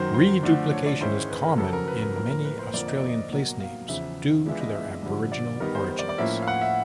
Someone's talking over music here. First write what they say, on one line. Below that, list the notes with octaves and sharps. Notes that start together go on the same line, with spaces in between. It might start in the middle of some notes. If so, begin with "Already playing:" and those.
Reduplication is common in many Australian place names due to their Aboriginal origins.
Already playing: F#2 D#3 F#3 C5
C5
D3 F3 A3 D4
C#5
D5
G#2 D#3 G#3 C#4 E4 C5
B4
A#4
F2 C#3 F#3 A4
A#4
B4
A#4
A2 F3 A#3 A#4
A#4
B4
C5
F2 D3 F3 A#3 D5
D#5
D5
D#5
B2 F#3 A#3
F5
E2 C#3 F3 E5
E3 G#3 B3 D4 F4 E5
D#5
E5
G2 D3 F3
D5
D#3 G3 B3 D#4 A#4
C5
C5
D5
D5
A2 F3 A#3 C#4 E4 E5
F5
F#5
E5